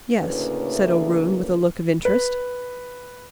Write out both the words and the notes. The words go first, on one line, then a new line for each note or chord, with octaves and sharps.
"Yes," said O'Roon, with a look of interest.
D2 A2 C#3 A#3 E4 B4
B4